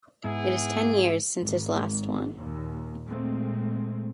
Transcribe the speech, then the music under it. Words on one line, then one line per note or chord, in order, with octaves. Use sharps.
It is ten years since his last one.
G#2 B3 E4 G#4
G#1
D#2 A#2
A#2 G#3 A3 C4